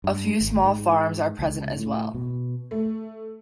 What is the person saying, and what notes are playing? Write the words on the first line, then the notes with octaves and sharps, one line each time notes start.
A few small farms are present as well.
G2
G#1
G#2
C#2
A2
B2
A3